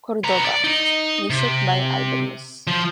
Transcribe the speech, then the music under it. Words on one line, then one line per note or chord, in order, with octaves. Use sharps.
Cordoba, music by Albeniz.
B3 A#5
D5
D#4 D#5
C3
F3